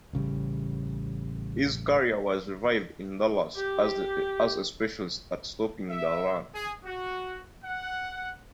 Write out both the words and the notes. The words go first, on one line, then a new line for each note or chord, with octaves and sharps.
His career was revived in Dallas as a specialist at stopping the run.
A1 C#3 F#3 G3
G4
E5
G#4
F#4
F#5